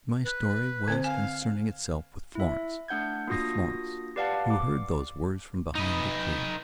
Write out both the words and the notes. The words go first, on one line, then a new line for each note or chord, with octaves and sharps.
And my story was concerning itself with Florence--with Florence, who heard those words from behind the tree.
B4
D3 C4 C5
F5 G#5
E4 E5
A3 D4 F#5 G6 G#6
A#3 D4 F4 F#4 D#6 A#6
G4 B4 D5 F5 F#5 A5
D6
D#4 B4